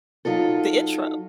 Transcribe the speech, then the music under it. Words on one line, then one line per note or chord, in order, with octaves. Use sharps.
the intro.
F#3 D#4 F4 A4